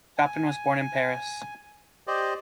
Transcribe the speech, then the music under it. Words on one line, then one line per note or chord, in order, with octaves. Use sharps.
Chapelain was born in Paris.
G#5
G4 C5 D5 D#5